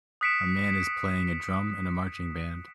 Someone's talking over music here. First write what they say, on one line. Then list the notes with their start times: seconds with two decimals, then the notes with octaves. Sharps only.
A man is playing a drum in a marching band.
0.21 D#6 F#6 B6 C#7 D7 E7